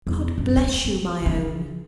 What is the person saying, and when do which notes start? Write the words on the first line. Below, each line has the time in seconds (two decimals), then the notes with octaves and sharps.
"God bless you, my own!"
0.07 E2
0.38 F#2
0.56 D2 A#3
0.85 C4
1.22 C#3 D4